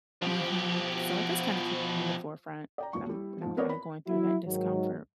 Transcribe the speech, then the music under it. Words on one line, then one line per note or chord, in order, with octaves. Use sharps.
Mhm. So I just kinda keep that in the forefront when I'm when I'm kinda going through that discomfort.
B2 F3 G4
D5 G5 A#5
D#1 G#1 C#6
G3 E4
G#2 F3
B3 C4 A#4 C#5 D5
B5
F#3 E4 F#4
G#2 D#3 F#3